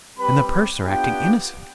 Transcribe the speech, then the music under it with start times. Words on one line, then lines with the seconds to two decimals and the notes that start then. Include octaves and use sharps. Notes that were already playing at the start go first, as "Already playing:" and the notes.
And the purser acting innocent?
0.17 G3 C4 G4 B4 B5
0.83 B3 D4 F4 G4 G5